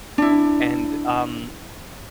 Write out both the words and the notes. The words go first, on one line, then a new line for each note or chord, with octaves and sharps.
and, um,
D4 E4